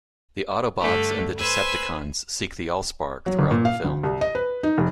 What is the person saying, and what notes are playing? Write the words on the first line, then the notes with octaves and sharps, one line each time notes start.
The Autobots and the Decepticons seek the AllSpark throughout the film.
G2 D3 A3
B4 C5 G#5 E6 F#6
F#3
G1
A#2
F5
D2
C2
D#5
B4
D#4
F1